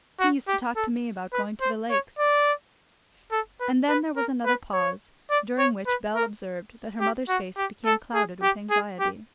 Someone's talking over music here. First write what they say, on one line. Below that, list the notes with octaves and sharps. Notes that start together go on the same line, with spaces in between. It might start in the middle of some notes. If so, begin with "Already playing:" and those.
"He used to talk to me about going to the lakes." And then there was another pause, during which Bell observed that her mother's face became clouded with anxiety.
F#4
G4
A4
B4
C5
C#5
D5
A4
B4
B4
A#4
B4
C#5
D5
C#5
B4
A#4
G4
F#4
G4
A4
G#4
G4
G#4
G4